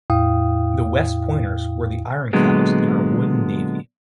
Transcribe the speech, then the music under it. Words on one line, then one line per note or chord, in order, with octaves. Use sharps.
The West Pointers were the ironclads in our wooden navy.
E2 A2 E4 F5 G5 D#6
A#2 D3 F#3 G#3 B3